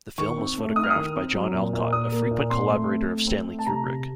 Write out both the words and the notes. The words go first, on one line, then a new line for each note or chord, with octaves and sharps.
The film was photographed by John Alcott, a frequent collaborator of Stanley Kubrick.
D#3 C#6
C4
A3
D#4 D#6
F6
D#6
D#3
C4
F#3
A#2
A#2
A#2 D#6
A#3
A#2
C4 C6
A3
C4
A3
C4
A3
A5
C3 A#5
C3